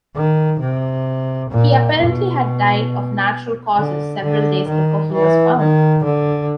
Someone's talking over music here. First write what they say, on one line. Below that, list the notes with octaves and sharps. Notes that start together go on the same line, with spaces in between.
He apparently had died of natural causes several days before he was found.
D#3
C3
A#2
B2
D3
D3
D#3
E3
D#3
D3